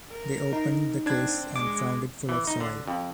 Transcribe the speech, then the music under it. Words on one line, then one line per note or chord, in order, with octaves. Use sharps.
They opened the case and found it full of soil.
A#4
D#4
C4 D4 G#6
G#3 D6
E3
D#4
D3
F2